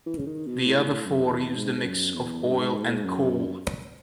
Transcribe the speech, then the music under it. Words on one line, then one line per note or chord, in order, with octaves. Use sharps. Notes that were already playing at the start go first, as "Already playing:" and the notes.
The other four used a mix of oil and coal.
E3
C#3
D#3
B2
A2
A2
F#2
E2
G#2
G#2
F#2
E2
G#2
F#2
G#2
A2
G#2
F#2